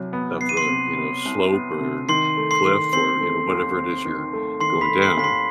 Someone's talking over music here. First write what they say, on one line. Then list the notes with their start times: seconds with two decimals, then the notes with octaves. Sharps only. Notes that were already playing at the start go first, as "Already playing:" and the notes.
of the, you know, slope, or cliff or, you know, whatever it is you're going down.
Already playing: C2 C3 F#3
0.13 B3
0.41 B3 C7
0.49 D#7
0.57 C6 C7
0.69 C3
0.96 B3
1.25 C2
1.53 B3
1.81 C3
2.09 D#3 C6 C7
2.37 A3
2.51 C6 C7
2.65 D#3
2.93 C4 C6 C7
3.21 A3
3.49 D#2
3.77 C4
4.05 D#3
4.33 A3
4.60 D#3 C6 C7
4.81 B5 B6
4.89 A3
5.02 C6 C7
5.17 D#2 B6
5.24 C6 C7